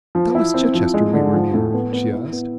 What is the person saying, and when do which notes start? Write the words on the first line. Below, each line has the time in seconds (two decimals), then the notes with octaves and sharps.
"That was Chichester we were near?" she asked.
0.15 F3
0.35 E4
0.54 C4
0.74 F3
0.94 G#3
1.13 D3
1.34 F3
1.54 A2
1.73 B3
1.93 B3
2.13 E4
2.32 B3